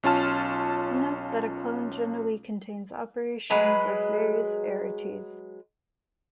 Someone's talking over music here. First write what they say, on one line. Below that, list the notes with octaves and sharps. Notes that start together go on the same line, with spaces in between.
Note that a clone generally contains operations of various arities.
B1 C#4 F4 A5 F6
F#3 G#3 B4